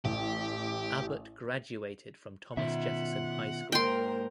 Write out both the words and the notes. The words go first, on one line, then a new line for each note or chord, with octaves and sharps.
Abbott graduated from Thomas Jefferson High School.
A1 G4
B2 D#3 F4 E5 F#5
G#2 A#3 A#4 C5 G5 C6